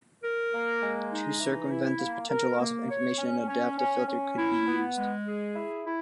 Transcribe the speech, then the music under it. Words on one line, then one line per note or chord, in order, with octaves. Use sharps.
To circumvent this potential loss of information, an adaptive filter could be used.
A#4
A#3
G#3
D#4
E3
E4
A#3
A#4
A#3
C#5
C#4
C#4
C#4
C#4
E4
B3
G#3
G#4
E4
E4